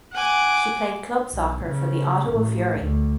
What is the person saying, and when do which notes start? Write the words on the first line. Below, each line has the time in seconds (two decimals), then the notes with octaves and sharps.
She played club soccer for the Ottawa Fury.
0.13 F#5 G#5 D6
1.32 B1
1.64 C#3
2.30 A1
2.80 D2